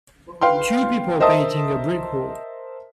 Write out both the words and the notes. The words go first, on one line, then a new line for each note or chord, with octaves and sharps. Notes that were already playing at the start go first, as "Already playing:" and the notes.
Two people painting a brick wall.
B4 F5 G5 C6
A#4 C5 D#5 E5 A5 D#6